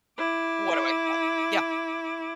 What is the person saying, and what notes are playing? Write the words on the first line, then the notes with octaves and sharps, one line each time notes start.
What do I say?" yeah.
E4 D6